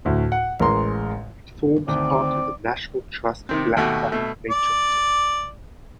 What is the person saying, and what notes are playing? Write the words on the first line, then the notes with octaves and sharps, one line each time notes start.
It forms part of the National Trust Blackcap nature reserve.
D2 A2
F#5
A1 G#3 A#4 A#5 C6
D2 D#3 C4 D5
C3 D#3 C4
D#2 B2 A3 F#4
B2 A3
D5